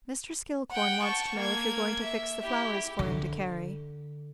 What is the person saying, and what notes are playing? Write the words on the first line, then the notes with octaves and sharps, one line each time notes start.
"Mr. Skillcorn wants to know if you're going to fix the flowers for him to carry?"
F#5 G5
A5 C#6
A#3 G#6
E5
E4 G4
D3